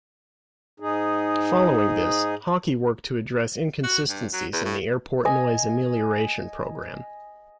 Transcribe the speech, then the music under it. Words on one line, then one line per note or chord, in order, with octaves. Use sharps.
Following this, Hockey worked to address inconsistencies in the airport noise amelioration program.
G#2 D#4 G#4
F#4
G2
F#3
E2
A2
D#5 G#5